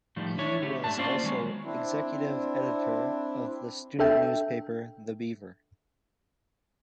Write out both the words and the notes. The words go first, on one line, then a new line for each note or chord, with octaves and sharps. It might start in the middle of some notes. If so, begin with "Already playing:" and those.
He was also executive editor of the student newspaper, The Beaver.
A2 D#3 F3 G3
D4 E4 C#5
D3 A3 G4
G#2 A3 D4 A5
A#3 C#4 F4 C5 D5
D#3 F#3 G#3 B3
C4 D4 E4
D4 A4 E5 G5